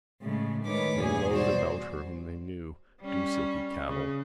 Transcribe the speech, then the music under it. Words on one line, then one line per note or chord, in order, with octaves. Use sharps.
They lowed about her whom they knew, dewsilky cattle.
A2 C#3 G#3 A3
D#3 G#3 A3 B4 C#5 D6
E2 A#2 G#4 G#5
B2 G3 F#4 C5 D5
G3 C#4
C#3